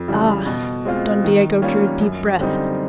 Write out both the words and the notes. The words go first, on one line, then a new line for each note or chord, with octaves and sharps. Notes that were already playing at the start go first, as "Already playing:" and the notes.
"Ah!" Don Diego drew a deep breath.
Already playing: F2
C#3 E3 G3
B2
G#3 C4 F4
D#3
G3 A#3 C#4 F4
F#2
D3 G3 C4 D#4